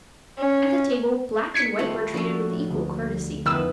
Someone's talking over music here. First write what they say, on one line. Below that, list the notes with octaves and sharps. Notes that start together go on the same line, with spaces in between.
At the table black and white were treated with equal courtesy.
C#4
D#4 G#6 B6 C#7
D#2 G3 A3 F4 G#4 A4
F3 C#4 D4 F#4 A4
A2
D2
F2 D3 D#3 B3 E4 B4 E6